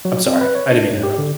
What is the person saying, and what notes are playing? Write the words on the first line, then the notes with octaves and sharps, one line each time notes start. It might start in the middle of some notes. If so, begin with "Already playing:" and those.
I'm sorry, I didn't mean to interrupt.
F#3
C4
B4
C#5
D4
G#2
G4
D3